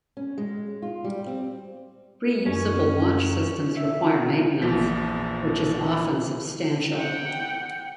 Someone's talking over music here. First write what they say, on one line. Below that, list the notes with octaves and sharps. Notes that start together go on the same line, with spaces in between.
Reusable launch systems require maintenance, which is often substantial.
C#4
G#3
F4
G3
C4
F#2 C#4
E5
A#1 E2 A#2 F3 B6
F#5 G5